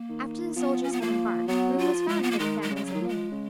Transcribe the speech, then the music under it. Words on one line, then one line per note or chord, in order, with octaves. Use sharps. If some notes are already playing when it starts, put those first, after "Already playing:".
After the soldiers had embarked, room was found for the families of many.
Already playing: A#3
D#3
F3 B3
C#4
B3
F3 A#3
F#3 B3
F4
F3
G#3
B3
A#3
D#3 G#3
G#3
C#3
G#3
F#3
D#3
F3
G#3
C#3